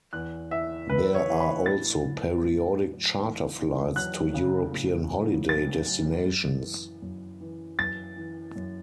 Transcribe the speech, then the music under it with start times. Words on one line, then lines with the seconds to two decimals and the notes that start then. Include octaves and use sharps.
There are also periodic charter flights to European holiday destinations.
0.13 E2 F#6
0.51 E3 E5
0.89 E2 B4
1.15 C#5
1.28 E3
1.40 B5
1.66 A2 A6
2.04 F#3
2.43 A2
2.81 F#3
3.19 E2
3.58 E2
3.96 F#3 F#6
4.34 C#3
4.72 A2
5.11 F#3
5.49 A2 A6
5.87 F#3
6.26 F#2
6.64 E3
7.02 F#2
7.41 E3
7.79 F#2 A6
8.17 E3
8.56 F#2